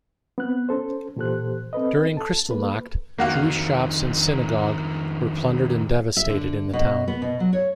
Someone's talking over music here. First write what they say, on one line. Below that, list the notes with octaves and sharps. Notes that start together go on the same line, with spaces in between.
During Kristallnacht, Jewish shops and synagogue were plundered and devastated in the town.
B3 C4 F#6
C#4 A4 C5
A#2 E3 G4 A4 C5 F#6
C4 A4 B4 D#5
A4 A5
A#3 A4 B4
F2 D#3 A#3 F#4 F5
E5
D3
B2
B3
B2
F#3
C#5